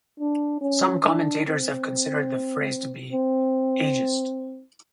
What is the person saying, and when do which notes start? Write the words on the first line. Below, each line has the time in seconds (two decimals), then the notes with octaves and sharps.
Some commentators have considered the phrase to be ageist.
0.20 D4
0.61 C#4
1.04 D4
1.46 C4
3.13 C4